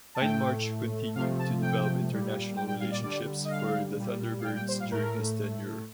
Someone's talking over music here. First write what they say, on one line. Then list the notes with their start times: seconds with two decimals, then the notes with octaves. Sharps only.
Hindmarch continued to develop international relationships for the Thunderbirds during his tenure.
0.15 A5
0.21 A2 A3 G5
1.15 C3 F3 A3 F5
1.39 A5
1.62 G5
2.09 A#2 G3
2.57 G5
2.68 G5
2.80 F5
2.91 D5
3.03 D3 G3 D5
3.45 D#5
3.50 F5
3.97 A#2 G3
4.40 F5
4.44 G5
4.56 G5
4.68 C5
4.80 F5
4.91 A2 A3 A#4